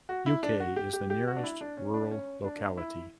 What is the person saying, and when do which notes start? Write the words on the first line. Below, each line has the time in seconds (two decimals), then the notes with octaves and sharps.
Uk is the nearest rural locality.
0.09 F#4
0.26 E4
0.43 D4
0.60 F#4
0.76 G4
0.93 G4
1.10 G4
1.27 F#4
1.36 D4
1.44 E4
1.61 D4
1.77 C#4
1.94 D4
2.11 C#4
2.44 D4
2.78 E4